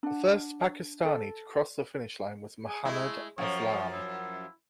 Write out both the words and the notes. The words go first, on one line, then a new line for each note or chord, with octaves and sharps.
The first Pakistani to cross the finish line was Mohammad Aslam.
D4 F#5
A4
G#4
G#3 A3 E4
F#2 F3 C#5
E4